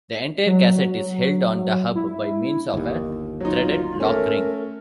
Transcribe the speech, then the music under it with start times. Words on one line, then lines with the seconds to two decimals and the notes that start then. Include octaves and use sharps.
The entire cassette is held on the hub by means of a threaded lockring.
0.46 F#3
1.95 E4
2.74 G1 D#2
3.40 F#3 D#4 F4
4.00 A3 C#4 A#4